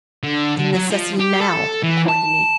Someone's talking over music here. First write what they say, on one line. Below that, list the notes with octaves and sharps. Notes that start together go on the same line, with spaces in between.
It's a necessity now, according to me.
D3
D3
F#3
F3
G4
A4
E3
A5